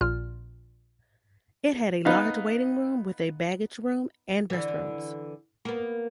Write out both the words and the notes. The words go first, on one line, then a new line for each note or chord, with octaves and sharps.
It had a large waiting room with a baggage room and restrooms.
A#1 A#2 F4 F6
B3 D#4 F5
D3 E3
A#3 B3